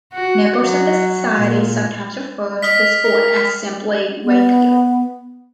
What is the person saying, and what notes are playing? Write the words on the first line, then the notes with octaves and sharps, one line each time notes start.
Members of the society sometimes refer to the sport as simply rapier.
F#4
F#3
A#2
D#5 D#6 F6 B6
A#4
B3